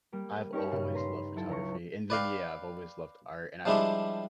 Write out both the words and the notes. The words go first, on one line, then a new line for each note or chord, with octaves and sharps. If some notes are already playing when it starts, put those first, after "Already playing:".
I've always loved photography, and then, yeah, I've always loved art, and I've
G3 A#3
C#4 D#4 G4 A#4 B4 C#6
G2 A#2 C#3 G3
B4 A#5 C6
F#3 E4 A4
C#2 A#5 C#6
B4 D5 F5 G5
F3 G3 G#3 D4 E4 G4